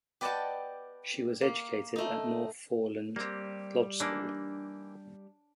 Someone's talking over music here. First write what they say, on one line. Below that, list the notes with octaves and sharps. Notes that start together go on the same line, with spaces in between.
She was educated at North Foreland Lodge School.
G4 B4 D5 D#5 F#5 A5
A#3
A3 D#4
G3 A#3 C4 G4
E3 A#3 D4 D#4